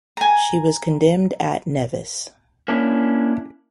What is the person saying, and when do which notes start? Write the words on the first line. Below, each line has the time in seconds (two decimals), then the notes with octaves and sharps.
She was condemned at Nevis.
0.17 G#5 A#5
2.68 A#3 C#4 D4 E4